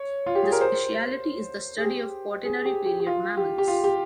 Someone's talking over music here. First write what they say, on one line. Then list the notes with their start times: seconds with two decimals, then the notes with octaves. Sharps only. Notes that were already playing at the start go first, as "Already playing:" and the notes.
The specialty is the study of quaternary Period mammals.
Already playing: C#5
0.26 F4
0.35 G4
0.44 G#4
0.52 A#4
0.61 C5
1.78 G#4
1.84 G4
2.45 G#4
2.65 G4
2.86 G4
3.00 G4
3.07 F4
3.37 G4
3.58 G4
3.68 F4
3.84 G4